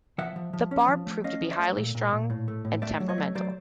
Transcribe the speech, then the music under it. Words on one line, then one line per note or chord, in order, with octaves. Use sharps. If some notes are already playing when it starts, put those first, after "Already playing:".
The Barb proved to be highly strung and temperamental.
F3 E5 F#5
F3
F3
C#4
F3
A3
C#4 D#5 F5
F3
D5 E5
A3
A#2
A#2
A#2
A2
A3
A2
A3 D5 E5
F#3
C#5 D#5
A3
F#3 C5 D5